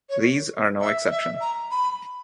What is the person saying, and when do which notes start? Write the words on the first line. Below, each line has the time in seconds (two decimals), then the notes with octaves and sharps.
These are no exception.
0.09 C#5
0.80 E5
1.07 D#5
1.11 E5
1.41 A#5
1.71 B5